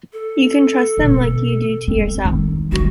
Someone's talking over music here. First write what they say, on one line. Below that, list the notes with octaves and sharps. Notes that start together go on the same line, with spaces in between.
You can trust them like you do to yourself.
A4
B2 E3
C4
C#2 D#3
D#3 G3 F#4